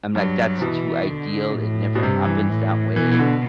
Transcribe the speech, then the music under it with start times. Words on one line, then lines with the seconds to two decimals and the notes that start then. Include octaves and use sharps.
I'm like, that's too ideal, it never happens that way,
0.15 G2 F#3
0.58 C3
0.62 B2 E3
1.09 D3
1.56 A2
1.95 B2
2.02 G2 C3
2.25 E3
2.49 A2
2.96 B2 E3
3.12 E3
3.19 D3